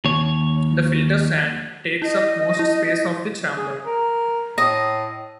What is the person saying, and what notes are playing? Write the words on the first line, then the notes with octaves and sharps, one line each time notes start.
The filter sand takes up most space of the chamber.
D#2 C#5
E4 D#5
E4
G#4
A#4
A2 D#5